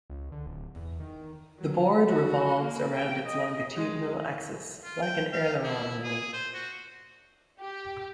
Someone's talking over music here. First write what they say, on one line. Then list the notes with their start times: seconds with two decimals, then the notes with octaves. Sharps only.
The board revolves around its longitudinal axis, like an aileron roll.
0.10 C#2
0.32 D3
0.46 D1
0.75 E2
1.00 D#3
1.59 F#3
2.07 F#4
2.60 A#3
2.95 G5
3.26 D#5
3.76 G#3
4.84 F4
5.02 G5
5.33 F5
5.63 E4
6.04 G#4
6.33 C5
6.54 F#4
7.60 G4